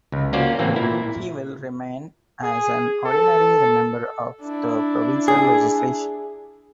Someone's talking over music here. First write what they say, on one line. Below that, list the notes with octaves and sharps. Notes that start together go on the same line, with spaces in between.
He will remain as an ordinary member of the provincial legislature.
C#2
A#3 C#4 F4 F#4 C5 D5
A2 E3 A#3 C4
A#2 E4
G#4
A4
D4 E4
G#4